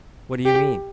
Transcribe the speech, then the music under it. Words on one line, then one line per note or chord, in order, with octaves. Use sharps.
"What do you mean?"
G4